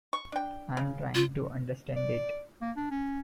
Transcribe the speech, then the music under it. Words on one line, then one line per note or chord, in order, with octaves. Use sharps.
I'm trying to understand it.
C#6
D4 G5
C#3
F4
D5
A#3
D4
C#4